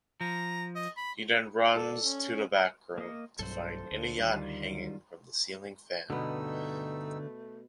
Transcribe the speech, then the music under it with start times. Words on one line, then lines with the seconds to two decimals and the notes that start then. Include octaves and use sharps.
He then runs to the backroom to find Inayat hanging from the ceiling fan.
0.21 F3 A#5
0.75 D#5
0.97 B5
1.76 A4 D5
2.05 C#4
2.98 A#3 D#5
3.39 B1 G2 F#3 A4 C5
3.91 D2
4.18 D#3 G3 F4
6.10 G2 B2 D3 A3 B3 D#4 E6